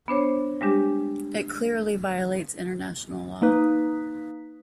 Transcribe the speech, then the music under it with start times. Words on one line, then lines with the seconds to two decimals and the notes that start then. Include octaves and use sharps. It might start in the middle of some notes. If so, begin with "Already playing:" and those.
It clearly violates International Law.
0.08 B3 D4 C5 C#5
0.61 G3 G#3 D4 G4
3.42 A#3 D#4 B4